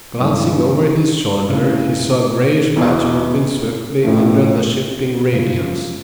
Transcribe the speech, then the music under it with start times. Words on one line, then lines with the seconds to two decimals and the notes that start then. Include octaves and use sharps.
Glancing over his shoulder, he saw a grayish patch moving swiftly under the shifting radiance.
0.20 G2 E3 G#3
1.48 C#3 E3 A3
2.76 E1 E2 B2
4.03 A1 A2 F3 A3
5.31 F#2 C#3 F3 G#3